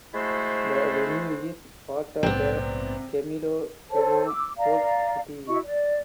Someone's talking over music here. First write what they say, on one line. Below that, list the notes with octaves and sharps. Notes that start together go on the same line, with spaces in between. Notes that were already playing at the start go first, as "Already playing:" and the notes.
The venue is part of the Camilo Cano Sports City.
G#3 A3 E4 F#4 A4 C5
A#1 G#2 C3 B3 C4 D5
A4 C5 C#5 A5
D6 E6
D5 F5 A#5
E4 F#4 D#5 C#6
D5